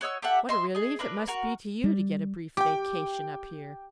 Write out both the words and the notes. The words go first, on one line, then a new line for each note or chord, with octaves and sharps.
What a relief it must be to you to get a brief vacation up here.
F#4 C#5 D#5 E6
G4 A4 E5 F#5
D#5 E5 C6
G#4 D#5
D4 A#4 B4
F#4 A#4
G3
G4 G5 D6